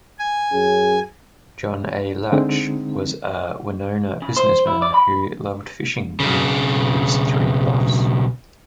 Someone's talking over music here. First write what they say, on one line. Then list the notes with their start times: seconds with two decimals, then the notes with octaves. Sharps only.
John A. Latsch was a Winona businessman who loved fishing beneath these three bluffs.
0.19 G#5
0.53 F#2 C#4 G#4
2.32 D3 G#3 C4 D#4
4.22 C#3
4.36 C5
4.67 E4
4.82 D5
4.94 B5
6.20 B1 C#3